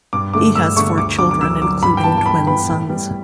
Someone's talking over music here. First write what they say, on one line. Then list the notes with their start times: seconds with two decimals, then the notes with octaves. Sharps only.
He has four children including twin sons.
0.13 G2 D6
0.34 D3 A3 D6
0.55 G2 E6
0.77 D3 A3 C#6
0.97 D2 D6
1.19 D3 F#3 D6
1.31 D6
1.41 D2 E6
1.62 D3 F#3 D6
1.82 G2 B5
1.97 G5
2.04 E3 B3 A5
2.18 A5
2.25 G2 B5
2.47 E3 B3 B5
2.68 A2
2.89 G3 B3